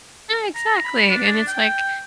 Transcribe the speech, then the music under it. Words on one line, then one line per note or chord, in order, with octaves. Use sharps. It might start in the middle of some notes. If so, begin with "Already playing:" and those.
Ah, exactly, and it's like
A#5
B5
D4
G5